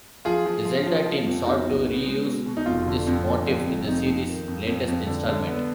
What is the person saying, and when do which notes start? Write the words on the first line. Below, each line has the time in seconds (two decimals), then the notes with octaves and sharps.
The "Zelda" team sought to reuse this motif in the series' latest installment.
0.25 F3 F4 G#4
0.46 F3
0.65 F3
0.86 F3
1.06 F3
1.27 F2
1.46 B3 D#4 F#4
1.65 B1
1.87 B3
2.06 G#3
2.27 B2
2.46 B2
2.57 D#4
2.66 F1 F4
2.87 D3
3.07 F2
3.27 D3
3.46 F2
3.67 F1
3.87 F2 D#4
4.06 F2
4.27 D#3
4.48 F2
4.67 F2
4.88 F2
5.07 D3
5.28 D3
5.47 B3